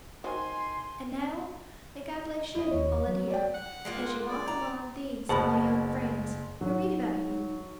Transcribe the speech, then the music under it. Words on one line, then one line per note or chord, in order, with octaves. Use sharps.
And now, may God bless you, Paula dear, as you walk among these my young friends who read about you!
D#3 F#4 C5 G#5 C6
F2 E4 D#5
D#2 C#5
F#3
D5 G5
F#5
G#3 A#3 F4
D5
A#5
F#1 B2 A3 G#4 C5 A5 B5
F#3 D#4